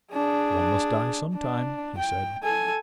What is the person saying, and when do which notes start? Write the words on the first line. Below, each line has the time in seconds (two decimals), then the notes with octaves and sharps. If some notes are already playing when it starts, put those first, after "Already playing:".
"One must die sometime," he said.
0.12 D4 G#4
1.34 D4
1.98 G5
2.43 A4 G#5